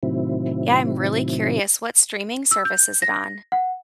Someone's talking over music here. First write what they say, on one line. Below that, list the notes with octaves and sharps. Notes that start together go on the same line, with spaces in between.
Yeah, I'm really curious, what streaming service is it on?
A2 C3 D#3 F#3 C4 E4
E6
G6
A#6
F#5